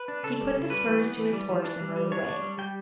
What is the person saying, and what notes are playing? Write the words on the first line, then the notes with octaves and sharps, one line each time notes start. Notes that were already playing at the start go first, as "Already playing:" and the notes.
He put the spurs to his horse and rode away.
Already playing: B4
D4
C#3 A4
G3
C#3
G3 B4
E3
B3
E3
G3
E3
D4
G3
G3
D4 C#5
D4
G3
G3 G5